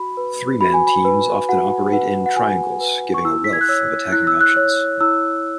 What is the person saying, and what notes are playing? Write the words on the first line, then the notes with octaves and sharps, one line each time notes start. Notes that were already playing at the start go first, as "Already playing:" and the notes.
Three-man teams often operate in "triangles", giving a wealth of attacking options.
Already playing: F#4 B5
B4
F#4 B5
G#5
B5
B4
F#4 F#5
B4 F#5
F#5
F#4 G#5
B4
C#6
E4 E6
B6
G#6
F#6
C#5 E6
E4 F#6
E6
F#6
C#5
E4 E6